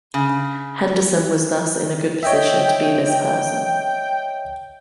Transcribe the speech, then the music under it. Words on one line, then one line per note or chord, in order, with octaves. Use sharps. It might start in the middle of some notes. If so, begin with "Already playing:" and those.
Henderson was thus in a good position to be this person.
C#3
C#5 D#5 E5 G5